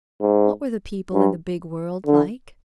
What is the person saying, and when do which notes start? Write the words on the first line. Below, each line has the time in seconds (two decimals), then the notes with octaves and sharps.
What were the people in the big world like?
0.21 G#2
1.14 G2
2.07 D3